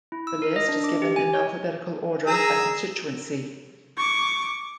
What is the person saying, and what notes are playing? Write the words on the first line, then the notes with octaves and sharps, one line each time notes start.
The list is given in alphabetical order by constituency.
E4
E6
A#4
D#5
D4
D6
G4
G#5
C#5
G#4 A#5 E6
C#6 D6